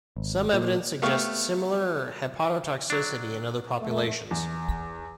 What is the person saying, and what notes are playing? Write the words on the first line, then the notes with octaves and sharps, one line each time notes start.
Some evidence suggests similar hepatotoxicity in other populations.
G#1
A#2
A3 B3 G4 F5 C#6
F#3 D4
F2 A3
E2